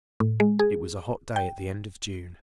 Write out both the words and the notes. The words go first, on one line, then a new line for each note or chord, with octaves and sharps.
It was a hot day at the end of June.
A2
G#3
G#4
G5